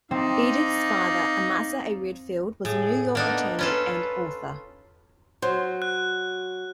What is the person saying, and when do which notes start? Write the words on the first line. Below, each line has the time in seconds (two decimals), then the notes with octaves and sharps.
Edith's father Amasa A. Redfield was a New York attorney and author.
0.11 C4 D#4 D5 F5
2.65 A2 G#4
3.15 A#3 B3 D4 D#4
3.59 C#4 F4 A4 B4
5.42 F#3 C5
5.82 F#6